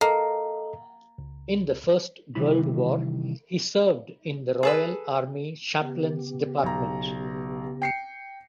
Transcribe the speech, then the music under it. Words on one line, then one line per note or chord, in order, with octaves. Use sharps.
In the First World War he served in the Royal Army Chaplains Department.
A#3 A4 D#5
C#2
C3 D#3 E3 G3 E4 B5
G#4 A4 B4
C#3 B3 G4
B1 A#5
G5 C7 C#7